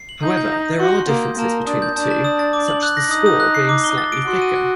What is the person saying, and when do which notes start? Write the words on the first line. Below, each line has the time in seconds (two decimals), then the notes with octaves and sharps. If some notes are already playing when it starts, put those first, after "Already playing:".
However, there are differences between the two, such as the Skor being slightly thicker.
Already playing: C7
0.09 F#7
0.23 D#4 G6
0.37 G6
0.52 A#6
0.66 D#7
0.80 F#4 C6
0.95 C6
1.09 A#3 D#6
1.24 G6
1.38 A#3 A5
1.52 A5
1.67 D4 D#6
1.82 G6
1.96 D4 A5
2.10 A5
2.24 D#6
2.39 A6
2.53 D6
2.68 F#7
2.83 F#6
2.97 A#6
3.11 D#4 D#6
3.26 D#6
3.40 F#6
3.55 C7
3.69 D6
3.84 G7
3.98 A6
4.12 D7
4.27 F#4 C6
4.42 D#7
4.56 F#6